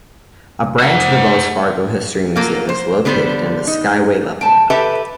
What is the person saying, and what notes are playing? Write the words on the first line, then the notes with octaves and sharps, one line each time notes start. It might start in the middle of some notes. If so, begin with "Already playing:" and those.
A branch of the Wells Fargo History Museum is located in the skyway level.
C5 F#5
F#3 A#3 F4
C5
D3 G3 B3 B4 C5
D#4
G5 A5
G4 A4 B4 E5 G5